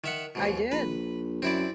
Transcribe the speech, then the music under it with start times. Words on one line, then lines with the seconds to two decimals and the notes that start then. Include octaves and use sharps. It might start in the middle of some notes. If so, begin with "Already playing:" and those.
I did.
0.04 D#3 E5 F#5
0.35 D#2 G#2 B2
0.72 A#1 B4
1.42 F#2 C4 E4 D5